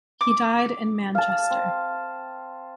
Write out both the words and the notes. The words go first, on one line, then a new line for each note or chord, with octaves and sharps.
He died in Manchester.
D6
F5 A5
C4